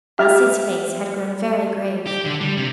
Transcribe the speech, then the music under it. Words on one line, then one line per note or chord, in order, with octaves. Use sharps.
Elsie's face had grown very grave.
G4 E5 F6
G4
D3
G3
C3